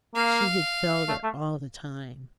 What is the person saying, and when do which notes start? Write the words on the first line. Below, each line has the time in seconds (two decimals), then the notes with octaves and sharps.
She had felt it all the time.
0.15 A#3 F5
1.08 A3
1.24 A3